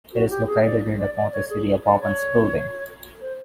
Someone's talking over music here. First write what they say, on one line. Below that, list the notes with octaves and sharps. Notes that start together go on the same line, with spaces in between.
It is located near the Ponte City Apartments building.
F#4
G4
G#4
D5
D5
D5
C#5
G#4
D5
C#5
C5